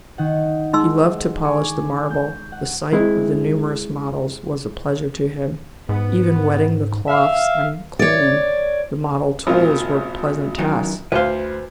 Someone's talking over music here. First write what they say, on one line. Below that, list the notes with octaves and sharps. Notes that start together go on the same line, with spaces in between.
He loved to polish the marble; the sight of the numerous models was a pleasure to him; even wetting the cloths and cleaning the model tools were pleasant tasks.
D#3 F#5
G#3 D#4 C6 E6
G#5 C#6 D6
G6
F#5
G#3 C4 E4
G#2 B3
E5 F5
C#5 D5
G#1 A#2 F4
F#2 D#3 E3
D2 B4 C5 F5